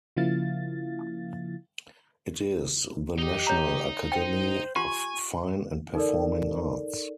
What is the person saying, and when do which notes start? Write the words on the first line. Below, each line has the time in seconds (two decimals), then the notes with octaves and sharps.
It is the national academy of fine and performing arts.
0.17 C#3 F3 A#3 E4 F5 A6
3.19 D#4 G4 D#5
3.47 C#5 A#5
4.12 C5 G5
4.76 F4 G4 G#5 C6 C#6
5.95 D#4 A4 A#4 D5